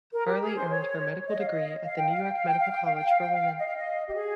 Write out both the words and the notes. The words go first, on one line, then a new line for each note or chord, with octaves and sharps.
Harley earned her medical degree at the New York Medical College for Women.
A#4
G4
G#4
C5
C#5
D#5
F5
D#5
F5
G5
F5
G5
F5
G5
F5
G5
F5
G5
F5
G5
F5
D#5
F5
D#5
G4
G#4